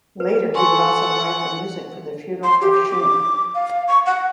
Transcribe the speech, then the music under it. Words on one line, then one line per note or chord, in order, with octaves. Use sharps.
Later, he would also write the music for the funeral of Schmidt.
B4
A4 F#5 G#5 C6 C#6
C6
G4
D6
F5
C#6
F#5